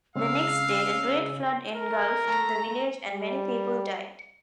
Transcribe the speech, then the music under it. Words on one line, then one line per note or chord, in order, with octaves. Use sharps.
The next day, a great flood engulfed the village and many people died.
C#3 G#3 C4 C#4 F5 E6
A#4
A3 A#5
G3